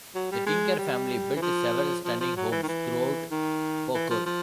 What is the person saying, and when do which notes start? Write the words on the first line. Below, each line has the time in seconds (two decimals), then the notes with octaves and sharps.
The Tinker family built several stunning homes throughout Poquott.
0.15 F#3
0.32 G3
0.47 G#3
0.79 G3
1.36 E3
1.42 F3
2.05 F3
2.21 F3
2.37 F#3
2.52 E3
2.63 D#3
2.68 E3
3.31 D#3
3.95 E3
4.11 F3
4.26 F3